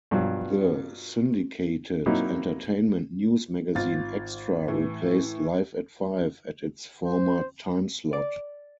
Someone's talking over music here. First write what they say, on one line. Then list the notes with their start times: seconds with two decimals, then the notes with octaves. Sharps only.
The syndicated entertainment news magazine "Extra" replaced "Live at Five" at its former timeslot.
0.11 G2 B2 F3 F#3
2.06 F#3 A#3 C4 D#4 E4
3.75 G#1 F4 A6
4.68 A2 E3
7.04 C5
8.13 D5